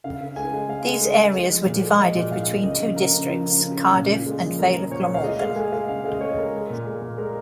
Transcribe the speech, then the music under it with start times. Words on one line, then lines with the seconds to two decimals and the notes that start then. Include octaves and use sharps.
These areas were divided between two districts: Cardiff and Vale of Glamorgan.
0.04 C#3 F5
0.21 C#3
0.36 G#3 G#5
0.54 G#3
0.69 G#3 F5
0.86 G#3
1.01 G#3
1.17 G#3
1.35 G#3
1.50 F3
1.66 A#2
1.83 G#3
1.98 F3 D#5
2.15 A#2
2.31 A#2 F5
2.47 A#2
2.63 C#3 D#5
2.80 F3
2.96 C#3 A#4
3.12 C#3
3.29 F3
3.46 C#3
3.61 C#3
3.77 C#3
3.94 A#2
4.10 A#2
4.26 G#3
4.43 F3
4.59 G#3 A#4
4.76 F3
4.91 A#2 C#5
5.07 A#2
5.14 F5
5.23 G#3 D#5
5.39 G#3 F5
5.56 G#3 G#5
5.72 G#3 F5
5.88 C#3 F5
6.04 G#3 F5
6.14 D#5
6.21 G#3 C#5
6.37 G#3 A#4
6.54 G#3
6.70 A#2
6.87 G#3
7.02 A#2
7.18 G#3 A#4